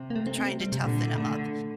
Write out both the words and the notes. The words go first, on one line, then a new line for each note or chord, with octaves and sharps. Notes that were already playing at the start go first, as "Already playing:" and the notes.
trying to toughen him up.
Already playing: C3
A#3
A3
C4
C4
G3
C3
A#2 D3
D3 A3